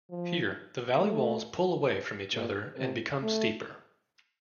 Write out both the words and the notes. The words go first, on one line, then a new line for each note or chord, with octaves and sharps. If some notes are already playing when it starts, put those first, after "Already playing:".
Here, the valley walls pull away from each other and become steeper.
F3
A3
A#2
C3
A3